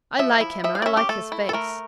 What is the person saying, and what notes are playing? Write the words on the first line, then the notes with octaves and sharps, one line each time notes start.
"I like him, and I like his face."
F3 E5
E4
F3 E5
F5
D5
C#4 E5
G4
A3 A4
E4
A4
A3 A#4